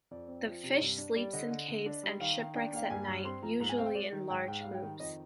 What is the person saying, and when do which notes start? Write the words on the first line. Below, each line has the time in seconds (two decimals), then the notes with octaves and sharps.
The fish sleeps in caves and shipwrecks at night, usually in large groups.
0.11 F2 D5
0.28 C4
0.46 F3
0.63 C3
0.81 G2
0.98 D4
1.16 G3 D5
1.33 D3 D#5
1.50 D3
1.68 D3
1.86 D4
2.03 G3
2.21 D#3 F5
2.38 D#3
2.55 D4 G5
2.73 A#3 F5
2.83 G5
2.90 G2 G#5
3.08 G2
3.25 C4 C6
3.43 F3 A#5
3.60 G#2 A#5
3.69 G#5
3.78 C4 F5
3.86 G5
3.95 G#3 D5
4.12 D#3
4.30 G#2 G5
4.48 G#2 G5
4.61 G3 F5
4.74 G5
4.82 D#3
5.00 F2 D#5